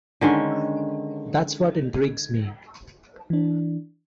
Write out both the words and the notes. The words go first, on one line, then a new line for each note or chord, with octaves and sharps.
That's what intrigues me.
D3 D#3 G#3 C#4
E3 D4